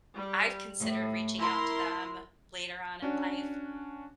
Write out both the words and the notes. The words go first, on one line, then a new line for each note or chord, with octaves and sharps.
I've considered reaching out to them later on in life.
G3
A2
E4 A#4 C6
C#4 D4 F#4